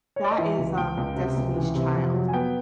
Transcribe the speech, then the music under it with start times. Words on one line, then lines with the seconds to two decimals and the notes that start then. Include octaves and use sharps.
That is, um, Destiny's Child.
0.16 C#5
0.24 D5
0.31 D#5
0.38 E3 E5
0.58 C#2
0.78 C#2 G5
0.97 C#2
1.16 C3
1.37 C#2
1.56 E3
1.75 C3
1.95 F2
2.14 F#3
2.28 G#5
2.33 B3 G5